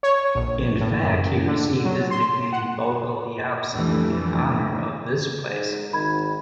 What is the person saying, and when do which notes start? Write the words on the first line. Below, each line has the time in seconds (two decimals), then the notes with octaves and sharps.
In fact he received his nickname "Bogolyubsky" in honor of this place.
0.03 C#5
0.35 A#1
0.80 A2
1.03 F#2
1.47 D3
1.85 F#3
2.11 C6
2.53 F#5
3.72 F2 D3 E3 G3 A3
5.47 G#2
5.93 G#1 D#3 B5 G#6